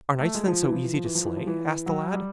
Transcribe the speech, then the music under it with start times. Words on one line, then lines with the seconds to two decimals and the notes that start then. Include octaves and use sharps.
'Are knights then so easy to slay?' asked the lad.
0.20 A3
0.35 G#3
0.48 F3
0.63 E3
0.73 F3
0.83 E3
0.94 F3
1.05 E3
1.15 F3
1.25 E3
1.37 F3
1.47 E3
1.86 F#3
2.14 G3